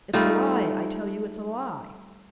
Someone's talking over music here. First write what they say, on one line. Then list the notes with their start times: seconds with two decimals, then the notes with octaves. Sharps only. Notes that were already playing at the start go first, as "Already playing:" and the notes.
"It's a lie--I tell you it's a lie!"
0.13 G3 A3 D#4 F4